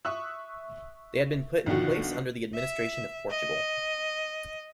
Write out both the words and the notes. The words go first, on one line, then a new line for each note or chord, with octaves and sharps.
They had been put in place under the administration of Portugal.
E5 C#6 D#6 E6 F#6
B1 D3 D#3 F3 F#4
E5
D#5